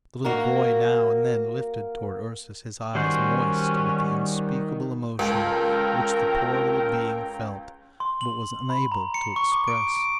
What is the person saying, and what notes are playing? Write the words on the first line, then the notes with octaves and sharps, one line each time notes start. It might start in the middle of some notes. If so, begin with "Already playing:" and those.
The little boy now and then lifted towards Ursus his eyes moist with the unspeakable emotion which the poor little being felt, but was unable to express.
A#3 F#4 A#4
D#3 G3 C#4 F#4 C5
C#2 C#4 F4 A4 A#4 G5 A#5
C6
F#7
B5
A#5
C#7
C#6
D6
D7
D7